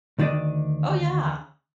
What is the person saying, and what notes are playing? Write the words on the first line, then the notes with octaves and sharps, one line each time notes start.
Oh yeah.
D2 D#3 D4 D5 D#5